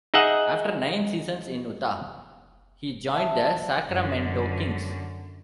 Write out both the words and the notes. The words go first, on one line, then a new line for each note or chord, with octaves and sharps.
After nine seasons in Utah, he joined the Sacramento Kings.
D#4 G#4 D#5 E5 F#5
E5 A5
F#2 D3